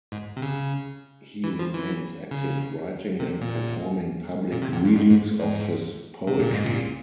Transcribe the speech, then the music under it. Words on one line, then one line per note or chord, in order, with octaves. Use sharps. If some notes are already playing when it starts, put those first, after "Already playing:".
He remains active writing and performing public readings of his poetry.
G#2
C3
C#3
E3
F3
E3
C#3
C3
A#2
A#2
C3
A#2
G2
G#2
G#2
G#2
C3
A#2
G#2
A#2